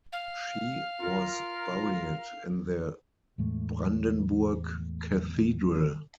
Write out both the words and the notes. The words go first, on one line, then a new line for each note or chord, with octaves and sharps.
She was buried in the Brandenburg Cathedral.
F5
F4 A#4
E2 A2 G#3 A3